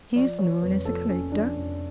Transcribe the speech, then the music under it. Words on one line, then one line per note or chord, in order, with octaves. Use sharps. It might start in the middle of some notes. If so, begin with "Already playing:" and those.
"He is known as a collector?"
F3 D5
F3 C#5
F1 B4
F3 A4
F1 C#4
F3 D4
F1